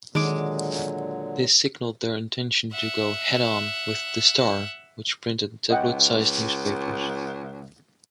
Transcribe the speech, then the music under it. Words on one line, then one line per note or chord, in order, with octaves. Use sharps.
This signalled their intention to go head-on with The Star which printed tabloid-sized newspapers.
A#2 D3 D#3 F#3 G#3 D6
E5 F#5
C#2 D#5 F#5 G5